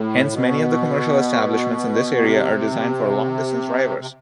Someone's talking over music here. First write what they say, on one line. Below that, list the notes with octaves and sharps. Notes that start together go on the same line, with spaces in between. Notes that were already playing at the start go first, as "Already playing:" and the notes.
Hence, many of the commercial establishments in this area are designed for long-distance drivers.
Already playing: A2
B2
C3
C3